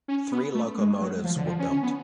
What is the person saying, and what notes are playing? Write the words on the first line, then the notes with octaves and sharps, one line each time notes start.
Three locomotives were built.
C#4
B3
A3
G#3
F#3
F3
D3
F3
C#4
C#4
B3